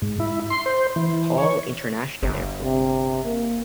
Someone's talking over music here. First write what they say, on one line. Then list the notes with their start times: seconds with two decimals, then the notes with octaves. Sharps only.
Paul International Airport.
0.02 G#2
0.20 E4
0.50 C6
0.66 C5
0.96 E3
1.38 C#5
2.23 G1
2.63 C3
3.24 A#3